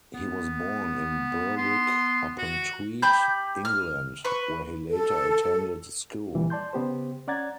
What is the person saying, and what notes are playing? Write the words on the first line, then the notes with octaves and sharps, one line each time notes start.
He was born in Berwick-upon-Tweed, England, where he later attended school.
B3
B3 C6
F#4
G4 B5 G6
F6
B4 C#6
A4
A#2 E3 G3
D5 A5 C6 G6
C#3 B3 G4 C5
C#4 D5 F#5 A#5 G#6 A6